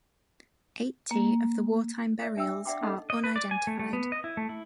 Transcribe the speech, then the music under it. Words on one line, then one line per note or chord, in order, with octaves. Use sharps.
Eighty of the wartime burials are unidentified.
A#3
C#5 D5 E5
D4 E5 G5 E6
D5 E5 F#5 G5 C6 D6
C#4 D#4 A4 D#5 F#5
D#5
B4
D5
G#5
A3
A3
B3
D#5
E4
A3
E4